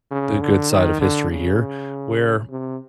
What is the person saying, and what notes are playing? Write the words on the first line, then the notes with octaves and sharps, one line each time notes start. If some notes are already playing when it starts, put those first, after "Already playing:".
the good side of history here, where
C#3
D3
D#3
D3
C#3
C3